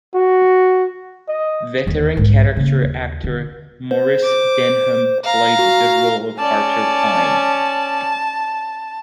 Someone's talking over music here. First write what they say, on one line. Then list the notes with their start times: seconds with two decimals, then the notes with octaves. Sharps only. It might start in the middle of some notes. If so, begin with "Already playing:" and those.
Veteran character actor Maurice Denham played the role of Parker Pyne.
0.15 F#4
1.29 D#5
1.86 D#2 D#3
2.17 B1 G#2
2.57 C#3 A#3
2.83 D#2
3.24 D3
3.91 C5
4.23 D6
5.24 F5 A#5
5.59 F#4
6.38 C#4 D5 A5